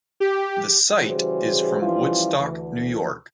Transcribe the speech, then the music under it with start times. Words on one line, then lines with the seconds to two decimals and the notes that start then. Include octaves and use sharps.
The site is from Woodstock, New York.
0.20 G4
1.04 C#3 E3 G3 F#4 G#4 C5
1.81 E3 F3 G3 C#4 E4 F4
2.37 D2 E3